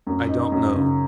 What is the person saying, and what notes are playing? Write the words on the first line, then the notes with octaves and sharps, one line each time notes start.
I don't know.
F#2
D#4
F#2
C#3